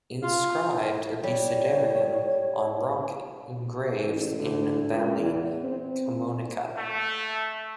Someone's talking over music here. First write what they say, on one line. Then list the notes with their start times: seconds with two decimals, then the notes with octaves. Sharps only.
Inscripted abecedarium on rock engraves in Valle Camonica.
0.21 F4
1.23 G3 C#5
4.03 A1
4.38 D2
4.88 C#2
5.17 E2
5.64 C4
6.77 A3